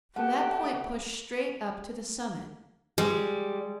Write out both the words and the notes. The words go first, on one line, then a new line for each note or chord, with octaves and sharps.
From that point push straight up to the summit.
A3 G4 F#5 A5
G3 G#3